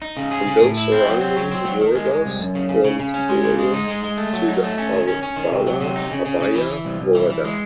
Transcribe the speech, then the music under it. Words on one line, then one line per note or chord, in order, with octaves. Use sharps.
And those surrounding woredas formed border to the Abala Abaya woreda.
D#4
C#3
G#4
C#3
A2
E4
C4
F#3
C4
F#3
C4
F#3
D#3
G#3
G#3
C2
F#2
C#3
C#3
C#3
C#3
C#4
G#3
C#3
G#3
D#4
G#3
G#3
A3
F#3
D#4
A3
C#4
D#3
C#4
C#4
D#3
C3
F#3
C3
D#4
C#3
C#3
C#3
E3
E3
C2
C2
E3
E3
G#3